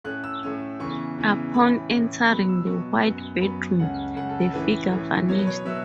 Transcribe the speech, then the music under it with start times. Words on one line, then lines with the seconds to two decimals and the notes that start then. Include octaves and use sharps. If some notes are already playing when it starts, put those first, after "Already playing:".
Upon entering the White Bedroom the figure vanished.
0.04 A2 A3 C#4 F#6
0.24 E6
0.43 A2 A3 C#4
0.80 E2 C#3 E3 C#6
1.18 E2 C#3 E3
1.54 A2 E3 C#4 B5
1.92 A2 E3 C#4
2.29 B2 F#3 B3 B5
2.49 E6
2.67 B2 F#3 B3 C#6
3.04 F#2 F#3 B3
3.41 F#2 F#3 B3 B5
3.79 C#2 C#3 A3 C#4 F#5
4.16 C#2 C#3 A3 C#4 F#5
4.29 A4
4.41 A4
4.53 A2 E3 C#4 B4
4.91 A2 E3 C#4
5.28 B2 F#3 B3 C#5
5.38 B4
5.47 C#5
5.65 B2 F#3 B3 E5